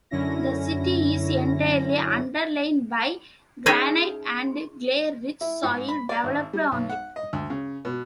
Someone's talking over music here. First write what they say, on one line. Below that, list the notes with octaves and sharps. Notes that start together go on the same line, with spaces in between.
The city is entirely underlain by granite, and clay-rich soil developed on it.
F#2 D3 C#4 E4 A#6
C#4 D#4 G#4 C#5 E5
E4
G#2
B5
D5
G#1
G3
B1
F#5
D#5
D2
C#3
B2